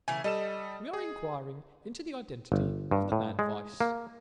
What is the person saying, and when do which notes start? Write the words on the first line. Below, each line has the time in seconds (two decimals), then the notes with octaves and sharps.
We are inquiring into the identity of the man Weiss.
0.08 C#3 E3 A3 G#5
0.24 G3 A4 D#5 E7
0.93 G#4
2.52 G1
2.91 G2
3.12 A2
3.39 G#3
3.81 A#3